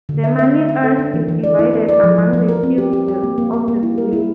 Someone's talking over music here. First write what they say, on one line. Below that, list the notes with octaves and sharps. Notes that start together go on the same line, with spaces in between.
The money earned is divided among the chiefs of the village.
D3
E5
E5
A3
E5
A4
D4
E3
E3
D5
E4
A4
D5
F3
F3
F3
A#4
C4
G4
G4
G4
A#3
A#3
A#3
A#3
E4
A#4
E4